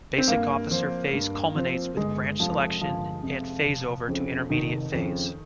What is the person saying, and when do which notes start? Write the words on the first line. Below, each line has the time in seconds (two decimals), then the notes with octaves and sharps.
Basic Officer phase culminates with branch selection and phase over to Intermediate phase.
0.18 C4
0.28 G2 A#3
0.71 F3 C4 F4 C5
1.13 G2
1.55 F3 C4 F4 C5
1.97 G1 G#3
2.40 F2 C3 F3
2.81 G1 F3
3.23 F2 C3
3.66 F1
4.07 F2 C#3 F3
4.50 F1 D#3
4.92 F2 C#3 F3